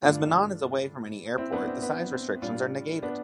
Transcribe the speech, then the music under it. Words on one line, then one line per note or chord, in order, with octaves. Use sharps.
As Menan is away from any airport, the size restrictions are negated.
G2 D3 A3 D4 F4
C4 E4
B3 D4
C4
B3
C4
A2 G3 D4 F4
B3 D4